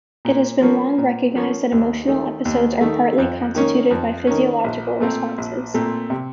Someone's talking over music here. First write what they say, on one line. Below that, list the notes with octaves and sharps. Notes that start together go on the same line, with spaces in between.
It has long been recognized that emotional episodes are partly constituted by physiological responses.
A#2
F3 A#3 C#4
A#2
F3 A#3 C#4
D#2
D#3 A3
D#2
D#3 A3
F2
D#3 A#3 C#4
F2
D#3 A#3 C#4
A#1
A#2 A3 C4
A#1
A#2 A3 C4
C3